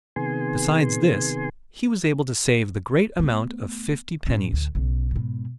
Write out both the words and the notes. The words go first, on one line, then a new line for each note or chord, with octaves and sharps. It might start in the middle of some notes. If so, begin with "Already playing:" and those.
Besides this, he was able to save the great amount of fifty pennies.
C3 D#3 B3 G#4 G#5 C6
A3 B3
A2 C#4
D2
B1 C#3
G#2 B2